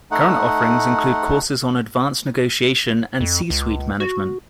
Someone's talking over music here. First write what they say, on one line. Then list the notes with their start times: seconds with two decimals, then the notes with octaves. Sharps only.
Current offerings include courses on "Advanced Negotiation" and "C-Suite Management".
0.11 A3 D#4 F#5
3.21 F2
3.50 C#2
4.00 F#4